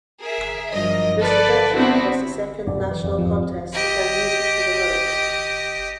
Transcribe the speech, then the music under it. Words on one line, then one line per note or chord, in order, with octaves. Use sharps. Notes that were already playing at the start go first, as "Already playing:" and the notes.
This rejection caused a second national contest to find music for the lyrics.
G#4 A#4 E5
G2 F3 F#3 A#4 D#5
A4 B4 D5
B3 C4 D4 E4 F#4
F#2 B2 D5
E3
F2 F3
F2 G#2 F3
G4 D#5